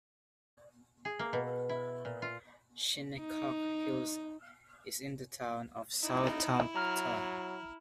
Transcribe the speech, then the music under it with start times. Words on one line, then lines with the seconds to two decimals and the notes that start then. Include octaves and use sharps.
Shinnecock Hills is in the Town of Southampton.
1.05 G#4
1.19 A#3
1.33 B2
1.69 E4
2.05 A#2
2.22 F4
3.19 D#4
6.03 D#4 E4
6.76 F#3 A#5 F6